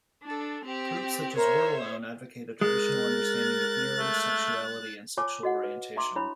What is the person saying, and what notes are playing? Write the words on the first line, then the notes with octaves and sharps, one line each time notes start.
Groups such as WordAlone advocate a traditional understanding of marriage, sexuality and sexual orientation.
D4 A4
C4 G4
A#4 C5 C#5 E5
G#3 A#4 F#6 A6
A3
F4 C#5 G#5 A5 D6
F#4 D#5 F#5
B4
D#4 E5 A#5 C6 D6
D4 E4 C#5 A#5 B5